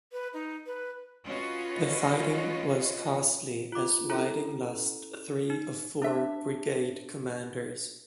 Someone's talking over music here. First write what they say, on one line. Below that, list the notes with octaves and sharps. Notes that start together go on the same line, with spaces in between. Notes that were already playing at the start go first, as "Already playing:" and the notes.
The fighting was costly as Whiting lost three of four brigade commanders.
B4
D#4
B4
C#4 F4 F#4 B4 D#5
F4 D6
C#4 E4 A4 A#5
D#4
D4 E5